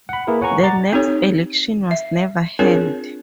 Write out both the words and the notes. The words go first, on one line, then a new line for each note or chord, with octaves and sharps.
The next election was never held.
F#5 B5
A#3 E4 G#4 A#4 B4
C#5 F#5 G#5 A#5 C#6
D5 F#5 A#5 A6
C4 D#4 G4 A4 C#5
E5
C4 D4 F4 G#4 A#4 C#5